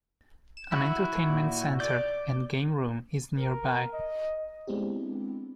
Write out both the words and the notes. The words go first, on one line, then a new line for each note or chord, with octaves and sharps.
An entertainment center-and game room is nearby.
E7
E4 F#4
A#2
D5 D6 G6
A#4
D#5
G#3 B3 C4 D4 E4 G4